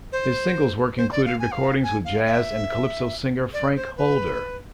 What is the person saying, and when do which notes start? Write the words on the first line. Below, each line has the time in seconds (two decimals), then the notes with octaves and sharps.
His singles work included recordings with jazz and calypso singer Frank Holder.
0.12 C5
0.97 C5
1.12 D5
1.26 F5
1.39 G#5
1.52 F5
1.83 G#5
2.05 F5
2.26 E5
3.53 D5
3.76 C5
3.97 B4